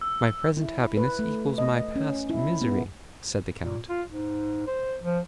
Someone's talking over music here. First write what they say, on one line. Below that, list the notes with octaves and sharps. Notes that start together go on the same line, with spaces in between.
"My present happiness equals my past misery," said the count.
E6
E4
B4
A3
D#5
C#4
E4
B3
A#2
F4
G#2
C5
F3